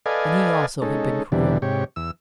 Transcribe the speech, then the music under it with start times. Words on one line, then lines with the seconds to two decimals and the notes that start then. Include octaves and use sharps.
And he also had been cruel.
0.06 A4 B4 D5 D#5 F5 G#5
0.82 G#3 C#4 D#4 A4
1.32 E2 B2 D3 E3 G3 D4
1.62 G#2 C3 G4 C#5
1.96 E2 E6